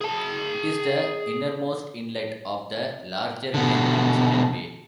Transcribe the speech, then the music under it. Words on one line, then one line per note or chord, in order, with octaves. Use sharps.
It is the innermost inlet of the larger Hen and Chicken Bay.
G#4 A5
B2 D3